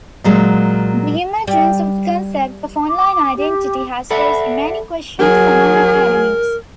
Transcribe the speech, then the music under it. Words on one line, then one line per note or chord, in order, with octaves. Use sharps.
The emergence of the concept of online identity has raised many questions among academics.
A#2 F#3 G#3
G3
D6
G4
A4 D5 E5 F#5 B5
F#3 G#4 A#4